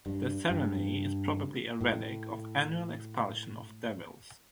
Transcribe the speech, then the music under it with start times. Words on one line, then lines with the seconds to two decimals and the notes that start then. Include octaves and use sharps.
The ceremony is probably a relic of an annual expulsion of devils.
0.06 G2
0.50 G2
1.81 A2